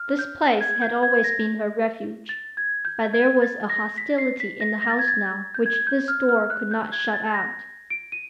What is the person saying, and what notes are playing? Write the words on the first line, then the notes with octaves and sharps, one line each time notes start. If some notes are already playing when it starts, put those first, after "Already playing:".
This place had always been her refuge, but there was a hostility in the house now which this door could not shut out.
Already playing: F6
G6
G#6
G6
G#6
A#6
A6
G#6
G6
G#6
A6
A#6
B6
C7
B6
A#6
A#6
A6
G#6
A6
G6
G#6
G6
F6
F6
F#6
G6
G#6
A6
A#6
D7
D#7